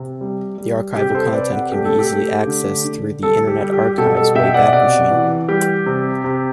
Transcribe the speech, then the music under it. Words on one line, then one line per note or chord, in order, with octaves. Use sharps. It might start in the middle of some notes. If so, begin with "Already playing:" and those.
The archival content can be easily accessed through the Internet Archive's Wayback Machine.
Already playing: C3
G3
G3
C3 G4
A4 C5
C5
C3 B4 D5
D5 F#5
A3 G4
A4
G4
A3
D3
D3
G3 A4
G4
G3
G4
G4
B2 A4
A4
B2 E5 G5
D5 F#5
C3 D5 F#5
E3
G3 G4
C3
C3